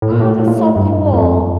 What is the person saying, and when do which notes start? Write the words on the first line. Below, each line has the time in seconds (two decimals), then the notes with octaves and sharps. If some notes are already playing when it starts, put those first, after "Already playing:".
Oh, that's so cool.
0.02 A2
0.12 A#2
0.20 A2
0.39 A2
0.47 A#2
0.55 A2
0.76 G2
1.13 F2